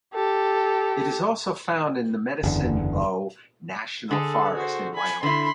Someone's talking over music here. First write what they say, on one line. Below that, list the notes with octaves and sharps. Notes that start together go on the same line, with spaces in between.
It is also found in the Medicine Bow National Forest in Wyoming.
G4 A4
F#1 E2 D3
D3 G#4 A4
F#4 C5
G#5 B5
D3 E4 B5 C6